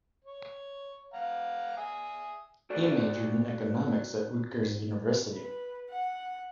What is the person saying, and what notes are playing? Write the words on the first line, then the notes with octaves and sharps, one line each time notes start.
He majored in economics at Rutgers University.
C#5
F5 F#5 A#5
E5 G#5 D#6
F#4 A4 D5
B4
F#5